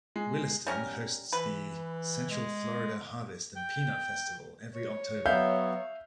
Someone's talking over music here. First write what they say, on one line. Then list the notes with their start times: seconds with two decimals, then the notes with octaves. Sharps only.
Williston hosts the Central Florida Harvest and Peanut Festival every October.
0.16 G#3
0.67 G3 C#4 A#4
1.33 E3 B4
2.30 G#3
3.56 G5
4.75 C#5
5.26 F#3 B3 E5 F5 G6